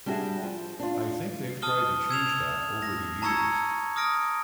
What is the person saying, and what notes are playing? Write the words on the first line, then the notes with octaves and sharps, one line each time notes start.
I think they've tried to change that over the years.
G3 D4 E4 F#4 G#4 E5
F3
D4 F4
A5 D#6 F6 G7
E6 G#6 E7 F7
A#6
A5 A#5 C#6 E6 G#6 C#7
A5
D#6 F6 A#6 D7